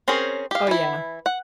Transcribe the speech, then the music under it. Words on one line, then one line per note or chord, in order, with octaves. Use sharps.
Oh, yeah.
C4 C#4 G#4 A#4 C5
G4 F5
E3 E4
F#5